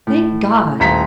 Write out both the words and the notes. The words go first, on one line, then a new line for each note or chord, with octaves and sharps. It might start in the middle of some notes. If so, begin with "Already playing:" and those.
Thank God!
A2
D#1 C5 F5 A#5 D#6 B6